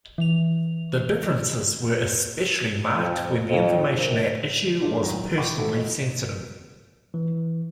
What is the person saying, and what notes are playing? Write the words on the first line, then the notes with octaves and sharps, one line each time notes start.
The differences were especially marked when the information at issue was personally sensitive.
E3 F7
F2
F2
A#1
G#3 A#3 D4 F4
D#1 B1 D#3 F#3 A#5 A#6
E5 F#5 G5 B5 C#6 D6
E3 F3 A3 D#4 F#4 A4
D#5
E3